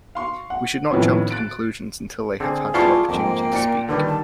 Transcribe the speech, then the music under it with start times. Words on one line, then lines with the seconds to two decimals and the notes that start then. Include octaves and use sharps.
We should not jump to conclusions until they have had the opportunity to speak.
0.15 F5 C6 C#6
0.50 F#5
0.90 F2 A2 D#3 B3 C#4
1.31 F#6 A6 D7
2.40 D3 C4 G#4
2.74 G3 B3 E4 F4 D5 A5 C#6
3.09 F2 G#2 A#3 G5
3.52 A#2 C#7
3.89 D3 D#3 G3 B4
4.07 A5